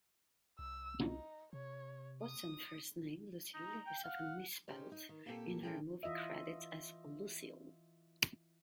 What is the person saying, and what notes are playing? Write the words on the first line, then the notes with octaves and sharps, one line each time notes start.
Watson's first name, Lucile, is often misspelled in her movie credits as Lucille.
C2 E6
D#4
C3 C#5
D#6
D#4 A#5
G5
F5 F#5
C#4 D#4 G4 C5
D#4
D#3
A#2 A#3 C4 D#4 G4 A4
A#2 E3 C#4 G#4 A4 G5
E3 F4 D#5 E5